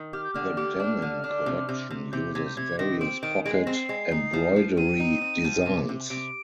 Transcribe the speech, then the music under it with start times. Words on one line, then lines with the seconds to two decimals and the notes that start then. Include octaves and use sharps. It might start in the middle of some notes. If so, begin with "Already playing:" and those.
The denim collection uses various pocket embroidery designs.
Already playing: D#3
0.13 G4 F6
0.24 G6
0.34 D3 F6
0.57 G4
0.80 D4
1.02 D3
1.24 D4
1.46 C3
1.69 C3
1.90 C3
2.12 C3 G6
2.34 C3 G#6
2.46 G6
2.57 C3 G#6
2.79 D#3 A#6
3.00 C4 D7
3.22 D#3 D7
3.45 G#3 D7
3.54 C7
3.65 C4 A#6
3.74 C7
3.89 G#3
4.12 D#4
4.33 F3
4.56 F3
4.77 C4 D#7
5.00 D#4
5.21 C4
5.44 F3
5.66 C3
5.89 C3
6.10 C3 D7